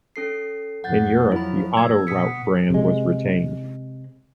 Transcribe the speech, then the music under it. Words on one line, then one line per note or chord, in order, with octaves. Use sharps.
In Europe the Autoroute brand was retained.
C#4 A4 C7
F2 F#5 G6 A6
F3 F#3 E4 B5
F#2 E6 G#6
B2 B3 D#6 B6 C#7
C3 G#3